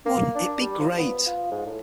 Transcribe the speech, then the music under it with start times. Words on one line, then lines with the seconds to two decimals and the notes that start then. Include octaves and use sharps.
Wouldn't it be great?
0.06 A#3
0.35 D4
0.61 G3
0.80 F3
0.98 B3
1.26 F4
1.51 G#2
1.66 A2